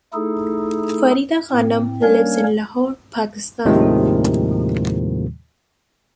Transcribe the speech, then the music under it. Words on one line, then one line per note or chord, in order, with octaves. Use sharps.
Farida Khanum lives in Lahore, Pakistan.
A3 D#4 E4 G#4 A4
A2 C4
G3 A#3 C#4 D4 A#4 C#5
D#2 A2 C3 D#3 F3 G#3